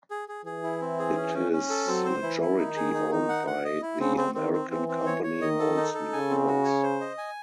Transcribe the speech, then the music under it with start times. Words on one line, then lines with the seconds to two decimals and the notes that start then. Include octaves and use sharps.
It is majority owned by the American company Molson Coors.
0.11 G#4
0.29 G#4
0.45 E3 G#4
0.64 E4
0.81 C4
0.99 G#4
1.17 C#4
1.34 C#4
1.52 C#4
1.70 A4
1.87 F#3 C4
2.05 C5
2.23 E3 E4
2.41 E4
2.58 D#3 D#4
2.76 G#4
2.94 D#4
3.11 D#4
3.29 F#5
3.47 F#5
3.65 D#5
3.82 E4
4.00 C#3 C4
4.17 C4
4.35 D#3 C4
4.53 C4
4.70 E3 C4
4.88 C4
5.06 C#5
5.23 C#5
5.41 D#3 D#5
5.59 A4
5.77 D#4
5.94 A4
6.12 C#3 G#5
6.30 C4
6.47 F#4
6.65 C#5
6.83 C5
7.01 D#5
7.18 G#5